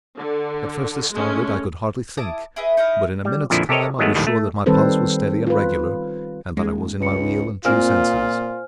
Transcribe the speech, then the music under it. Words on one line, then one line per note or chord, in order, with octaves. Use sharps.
At first astounded, I could hardly think, but in a minute's time I was sure that my pulse was steady and regular, and that I was in my real and true senses.
D3
G#3 A3 C#4
E4 A5 D6 D#6
E4 G#4 B4 D#5
D#4 E4 D#5 F5
G3
F2 A#2 D3 F3 E4
G4 A4 A#4 C#5 D#5
D#3 F#3 G#3 A3 B3
A#1 D#2 A2 D#3 G3
A3
D#3 G3 C4 A4 B4 C5
F4 B4
D#1 G#3
C#2 B4 C#7
A#2 A#3 C4 F4 C5 G#5 F6